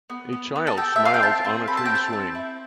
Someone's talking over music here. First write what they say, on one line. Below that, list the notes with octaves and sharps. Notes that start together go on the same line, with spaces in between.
A child smiles on a tree swing.
B3
B3
B3
A5
A4 G5
E5
C4
F5
G5
C4 A5
C4
A4 B5
A5
G5
C4
A5
C4
E4